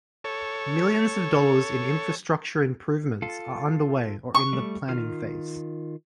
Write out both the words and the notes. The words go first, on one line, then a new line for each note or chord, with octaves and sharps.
Millions of dollars in infrastructure improvements are underway or in the planning phase.
A4 C#5
F4 A4
C#6
G3 A3
D#3 F4 F6